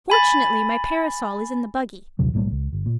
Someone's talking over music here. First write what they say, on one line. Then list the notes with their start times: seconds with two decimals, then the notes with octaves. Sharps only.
Fortunately my parasol is in the buggy.
0.10 G#5 B5 A6
2.19 A#1 D#2 C3 F#3
2.34 B1 A2 G3 A#3
2.51 C#2
2.73 G1
2.86 A#2